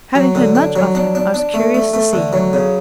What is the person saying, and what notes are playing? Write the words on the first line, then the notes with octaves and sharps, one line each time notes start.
Having heard much of him, I was curious to see him.
F#3
D3
D4
F#3
D4
D4
D4
A3
A3
A3
D3
F#3
C#3